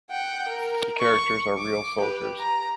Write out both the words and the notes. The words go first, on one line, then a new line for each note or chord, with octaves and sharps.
The characters are real soldiers.
F#5 G5
A#4
C#6
D6
G4 B4
A#5